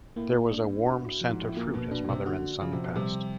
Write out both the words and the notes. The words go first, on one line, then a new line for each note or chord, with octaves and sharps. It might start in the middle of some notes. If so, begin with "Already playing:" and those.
There was a warm scent of fruit as mother and son passed.
A2 A#3
D4
F#4
F3
G#2
A2
A#2 A#3
B2
B2 D4
B2
C3
D3 F#4
C#3 F3
C3
B2
C3 G3